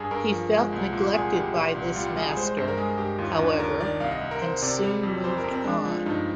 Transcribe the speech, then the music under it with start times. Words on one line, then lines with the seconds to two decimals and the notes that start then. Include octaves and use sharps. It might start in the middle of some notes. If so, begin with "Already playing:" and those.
He felt neglected by this master, however, and soon moved on.
Already playing: G2 G#4
0.11 G2 A#4
0.32 F3
0.52 G#3
0.72 C2
0.93 A#2
1.13 C2 G#4
1.34 G3 G4
1.54 A#2 G4
1.75 C2
1.96 G3 F4
2.16 G3 G#4
2.37 G#3 C5
2.47 C5
2.57 G2 C5
2.68 A#4
2.77 G#3 G#4
2.98 G2 G4
3.18 D#2 F4
3.29 F4
3.39 D#2 D4
3.49 D4
3.59 D#2 A#4
3.80 D#3 D5
4.00 C2 F5
4.11 D#5
4.21 C2
4.31 A#4
4.42 C2 C5
4.62 C3 D5
4.83 G3
5.03 F2
5.24 F2 C5
5.38 A#4
5.44 F2
5.51 C4
5.64 G#3 D4
5.85 F3
6.06 G2 D#4